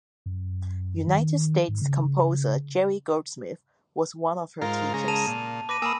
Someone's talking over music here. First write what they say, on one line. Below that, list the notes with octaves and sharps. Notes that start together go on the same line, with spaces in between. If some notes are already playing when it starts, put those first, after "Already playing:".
United States composer Jerry Goldsmith was one of her teachers.
F#2
D#3
G#2
C#3
G#2 F4 A#4
C#3 G#3 A#5
A5 D#7 F7
A#2
B4 D6 A#6 D#7
A#3 G#5 B5 D#6 E6